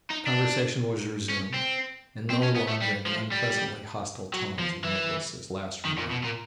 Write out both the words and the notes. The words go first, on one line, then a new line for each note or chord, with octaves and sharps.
The conversation was resumed, and no longer in the unpleasantly hostile tone of Nicholas' last remark.
D#4
D4
C#4
C4
C4
C#4
B3
A3
G3
F3
G3
F#3
F3
E3
D#3
A#2
B2
A#2